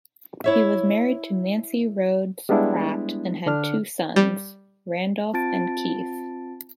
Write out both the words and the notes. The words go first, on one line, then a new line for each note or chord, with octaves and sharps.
He was married to Nancy Rhodes Pratt and had two sons, Randolph and Keith.
E4 C#5 E5
G3 G#3 B3 D4 E4
D3 D4 F6
G3
C4 F4 A5 A6 D7